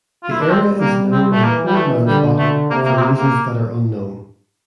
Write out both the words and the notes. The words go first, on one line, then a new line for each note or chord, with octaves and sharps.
The area is known as "old man's" "bottom" for reasons that are unknown.
F4
E4
D4
G3 C4
A#3
C4
A3
E3 A#3
G3
A3
D3 G3
A3
C3 A#3
A#3
C4
A#3
A#3